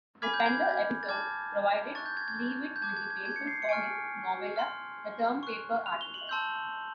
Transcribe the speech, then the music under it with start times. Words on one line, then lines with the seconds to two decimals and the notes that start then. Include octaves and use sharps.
The Spender episode provided Leavitt with the basis for his novella "The Term-Paper Artist".
0.22 G#5 B5 D6 F6 G#6
0.34 G6
0.46 G#6
1.03 A6
1.09 A5 D6 F6 G#6
1.95 C#6 F#6 A6
2.06 G6
2.17 G#6
2.28 G#6
2.76 G6
2.82 A5 D6 F#6 G#6
2.97 G#6
3.10 G#6
3.25 G#6
3.36 C#7
3.47 C7
3.62 C#7
3.69 G#5 C#6 F6 D7
4.56 C6 F6
5.43 C#6 F#6
5.86 F7
6.01 G7
6.14 F#7
6.29 A5 C6 E6 G6